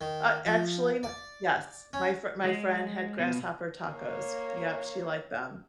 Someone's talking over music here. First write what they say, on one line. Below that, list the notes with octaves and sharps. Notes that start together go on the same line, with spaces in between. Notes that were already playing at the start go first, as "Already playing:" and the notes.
Uh, actually, my Yes, my fr my friend had grasshopper tacos, yep, she liked them.
D#3
F3
D5
C#4
G#3
B2
A#3 C#5